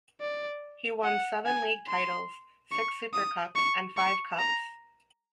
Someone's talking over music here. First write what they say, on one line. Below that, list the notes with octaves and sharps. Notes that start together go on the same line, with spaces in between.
He won seven league titles, six supercups and five cups.
D5
F#5
G#5
C6
C#6
D#6
C#6
C#6
A#5